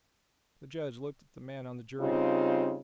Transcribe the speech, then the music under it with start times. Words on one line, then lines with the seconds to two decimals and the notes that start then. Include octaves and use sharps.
The judge looked at the man on the jury.
2.00 C#3 G3 C4 D#4 F4